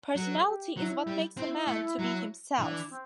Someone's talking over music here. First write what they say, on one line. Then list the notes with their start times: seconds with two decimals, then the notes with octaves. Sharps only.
Personality is what makes a man to be himself.
0.16 F#3 A4
0.23 B4
0.31 A4
0.46 G4
0.77 F#3 E4
1.07 G3
1.37 C4 E4
1.67 A3
1.99 F#3
2.59 E3 D4
2.90 C4